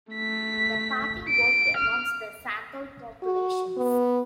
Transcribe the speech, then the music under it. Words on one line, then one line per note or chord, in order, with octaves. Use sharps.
The party worked amongst the Santhal populations.
A3 B6
D7
F6
F#4
B3